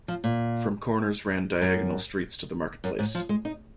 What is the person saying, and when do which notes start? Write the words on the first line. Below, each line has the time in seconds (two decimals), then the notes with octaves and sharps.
From corners ran diagonal streets to the marketplace.
0.08 F3
0.24 A#2
1.62 F#2
2.84 F#2
2.99 G#2
3.15 F3
3.29 G#3
3.45 D#4